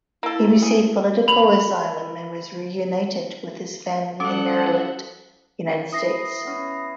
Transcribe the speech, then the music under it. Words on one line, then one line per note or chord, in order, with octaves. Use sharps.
He received political asylum and was reunited with his family in Maryland, United States.
A#3 E4 A4
G#4
B5 F7 F#7
G3 C#4 A4 F#5 D6 D#6
E3 D#6 A#6 C7
B3 C#4